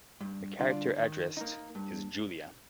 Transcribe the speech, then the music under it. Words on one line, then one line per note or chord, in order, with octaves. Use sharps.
The character addressed is Julia.
G2
D3 G3 D4 F4
D#3
A#3 D#4
G2